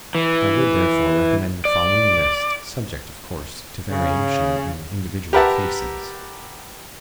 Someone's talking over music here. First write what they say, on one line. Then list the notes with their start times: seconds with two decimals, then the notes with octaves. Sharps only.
I would, therefore, recommend the following list, subject, of course, to variation in individual cases.
0.15 E3
1.65 D5
3.90 C#3
5.33 G4 A#4 B4 E5 F#5 A5